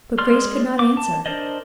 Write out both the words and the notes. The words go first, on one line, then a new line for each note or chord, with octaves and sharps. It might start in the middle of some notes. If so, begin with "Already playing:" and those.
But Grace could not answer.
G#3 D5 C6 F6
D6
A5
D4 A#4 C5 D5 D#5